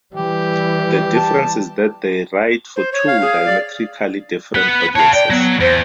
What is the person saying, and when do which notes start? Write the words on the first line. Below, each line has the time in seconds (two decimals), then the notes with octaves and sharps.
The difference is that they write for two diametrically different audiences.
0.15 E3 G3 G4
1.15 A5
2.76 C5
2.93 C#5
3.07 F5
3.21 G#4
3.46 D5
4.55 B4 F#5
4.96 C#5 F5 A5
5.14 D5 G5
5.30 F#3 B3
5.60 E2 C5